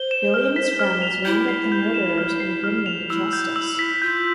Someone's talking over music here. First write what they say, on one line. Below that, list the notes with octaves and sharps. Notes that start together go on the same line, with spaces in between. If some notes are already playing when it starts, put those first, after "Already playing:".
Billy and his friends round up the murderers and bring them to justice.
Already playing: C5 G7
E7
F6
B6
F6
F7
E4 G6
C7
G6
E7
F6
C7
F6
F7
E4 E6
G6
E6
B6
F4 G6